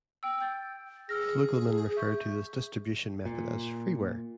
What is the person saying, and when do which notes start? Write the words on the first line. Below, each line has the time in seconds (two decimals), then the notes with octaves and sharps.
Fluegelman referred to this distribution method as "freeware".
0.23 G5 E6
0.40 G5 G6 A6
1.09 G#4 E6 F6 A#6
1.96 E5 C#6 G6
3.25 A#2